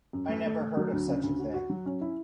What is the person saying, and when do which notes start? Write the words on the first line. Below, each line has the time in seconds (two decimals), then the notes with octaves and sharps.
I never heard of such a thing.
0.13 F#2
0.29 A3
0.46 A3
0.60 A3
0.77 F#3
0.93 D2
1.08 C#3
1.23 D2
1.39 F#4
1.54 F#4
1.70 F#3
1.86 C#4
2.01 E4